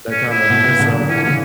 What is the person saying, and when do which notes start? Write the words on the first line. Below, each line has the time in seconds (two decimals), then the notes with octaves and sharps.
that kind of mess up
0.11 C#4
0.30 E4
0.50 B2
0.64 C#3
0.79 B2 D3
0.94 D3 F#3
1.08 E3 C#4
1.17 D3
1.23 C#3 E3 C#4